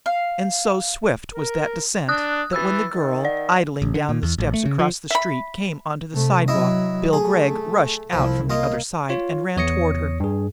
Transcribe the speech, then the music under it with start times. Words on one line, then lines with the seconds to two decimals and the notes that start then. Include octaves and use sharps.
And so swift was that descent that, when the girl, idling down the steps across the street, came onto the sidewalk, Bill Gregg rushed out from the other side and ran toward her.
0.06 F5
1.35 A#4
2.09 D4 D#6 F#6
2.53 E3 E6 A6
2.92 D#3
3.25 D5
3.82 A1
3.94 D3
4.09 A#2
4.23 E2
4.38 A1
4.54 A3
4.66 C#3
4.79 F3
5.11 E5 B5
6.13 C3 A3
6.48 F#3 E4 D#5
7.13 A3 G#4
8.13 C2 F3 E4
8.50 A#3 F4 D#5
9.09 F4 C#5
9.57 E2 C#5 D#6 A#6 C#7
10.20 G2 G#4